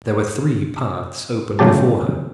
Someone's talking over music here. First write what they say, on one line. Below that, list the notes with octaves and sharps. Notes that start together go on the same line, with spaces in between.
There were three paths open before her.
G1 A2 C#3 F#3 G4 A5